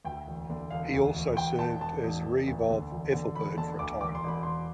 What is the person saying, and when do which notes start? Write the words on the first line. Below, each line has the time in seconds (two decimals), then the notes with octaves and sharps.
He also served as reeve of Ethelbert for a time.
0.05 D2 G5
0.27 E1
0.50 D3
0.70 E1 F5
0.94 D2
1.15 E1
1.37 E1 G5
1.59 E1 A5
1.81 E1 A5
2.04 E1
2.25 E1
2.48 D2
2.70 D3
2.91 E1
3.13 D3
3.35 E1 B5
3.57 D3 A5
3.79 D2 D6
4.01 E1 D6
4.15 C6
4.24 E1 B5
4.43 E1 C6